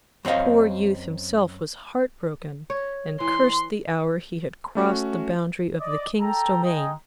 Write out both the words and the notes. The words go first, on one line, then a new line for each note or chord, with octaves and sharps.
The poor youth himself was heart-broken, and cursed the hour he had crossed the boundary of the King's domain.
F#2 C4 F4 D#5 F5
C#5
E3 C6
A3 C#4 F#4
D5 D#5
A4 G5 A#5
G#3 D#4 G#4 D#5 G5